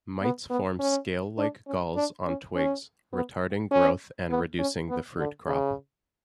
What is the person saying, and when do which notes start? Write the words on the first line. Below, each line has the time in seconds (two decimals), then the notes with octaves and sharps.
Mites form scale-like galls on twigs, retarding growth and reducing the fruit crop.
0.21 B3
0.50 B3
0.79 C#4
1.38 D4
1.67 C#4
1.96 D4
2.26 C#4
2.55 C#4
3.13 B3
3.71 C#4
4.30 B3
4.59 C#4
4.89 B3
5.18 D3
5.47 C#3